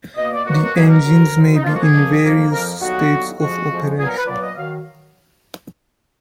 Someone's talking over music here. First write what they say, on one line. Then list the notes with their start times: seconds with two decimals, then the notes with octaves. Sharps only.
The engines may be in various states of operation.
0.16 B2 A#3 D#5
0.31 D5
0.45 B2 F#3 A#3 F#4
0.61 F#4
0.75 B2 F#3 A#3 G#4
0.89 A#4
1.04 D2 D3 F#3
1.34 D2 D3 F#3
1.56 D#4
1.63 F2 F3 A#3 F4
1.73 F#4
1.82 G#4
1.92 F2 F3 A#3
2.22 F2 F3 A#3
2.51 F2 F3 A#3 A#4
2.80 D#2 D3 F#3 B3 F#4
3.09 D#2 D3 F#3 B3
3.39 F2 F3 G#3 F#4
3.69 F2 F3 G#3
3.98 A#2 F#3 B3 G#4
4.07 A#4
4.17 B4
4.27 A#2 F#3 B3 D5
4.42 D#5
4.57 D#3 F#3 F5